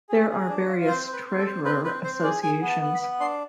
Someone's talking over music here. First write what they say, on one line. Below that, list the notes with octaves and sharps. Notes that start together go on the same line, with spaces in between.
There are various Treasurer associations.
G#4
G#4
D4
F4
C4 C5
C4
B4
C4
A4
C4
C4 B4
C4 B4
C4 C5
G#4 D5
G#4 G#5
B3
A5
B3
B5
B3
D4 C6